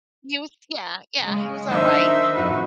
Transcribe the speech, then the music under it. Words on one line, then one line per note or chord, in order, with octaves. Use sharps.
use Yeah, yeah, he was all right.
C#3 G#3
D#3 D4 D#4 C5 E5
F2 A2 D#3 F#4 B4